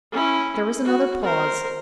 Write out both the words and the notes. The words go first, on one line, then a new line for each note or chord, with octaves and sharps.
There was another pause.
C#4 E4
F#4
A#4 C5